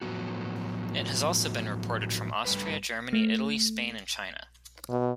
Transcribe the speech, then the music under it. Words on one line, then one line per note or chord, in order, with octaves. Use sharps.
It has also been reported from Austria, Germany, Italy, Spain and China.
A2 F3 F#3 B3 F#4
G2 C3 G3 A3 B4
A3
B2